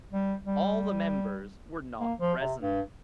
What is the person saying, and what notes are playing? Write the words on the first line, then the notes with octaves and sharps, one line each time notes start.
All the members were not present.
G3
G3
A#3
F3
C3
G2